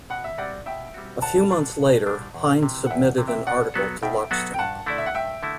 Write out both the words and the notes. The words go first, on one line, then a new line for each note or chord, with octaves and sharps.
A few months later Hind submitted an article to Luxton.
B2 F#5
E5
G3 C4 F#4 D5 F#5
B2 E5 G5
G3 C4 F#4
D2 F#5 A5
D3 G3 D4
D2
D3 G3 D4
E2
C3 E3
F#5
E2 E5 G5
C3 E3
E5 G5
B2 D5 F#5
F#3 B3 F#4 A4
B2 E5 G5
F#3 B3 F#4 A4
G5
G2 F#5 A5
D3 A3 E4 D5
E5
F#5
G2 E5 G5
D3 A3 E4